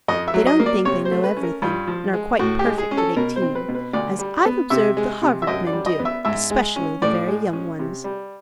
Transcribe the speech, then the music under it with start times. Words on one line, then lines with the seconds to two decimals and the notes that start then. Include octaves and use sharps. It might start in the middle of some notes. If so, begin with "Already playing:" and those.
They don't think they know everything and are quite perfect at eighteen, as I've observed the Harvard men do, especially the very young ones.'
0.08 F2 D#5
0.28 E5
0.34 F#3
0.46 D#5
0.60 A#3
0.66 D5
0.85 C3 C#5
1.05 C5
1.11 A3
1.24 B4
1.37 C#4
1.43 A#4
1.62 G2 F4
1.87 F3
2.13 G#3
2.39 A2 F#4
2.59 G4
2.65 G#3
2.78 G#4
2.91 C#4
2.97 A4
3.16 B2 A#4
3.36 C5
3.42 C4
3.55 B4
3.68 B2
3.75 B4
3.93 D2 D5
4.19 G3
4.45 B3
4.70 C3 E5
4.97 G#3
5.22 C3
5.42 E5
5.47 F#2 D#5
5.66 D5
5.73 G3
5.86 D#5
5.99 B3
6.05 E5
6.25 G#2 E5
6.51 G#3
6.76 C#4
7.02 A2 D5
7.27 G#3
7.53 C#4
7.79 C3
8.04 G3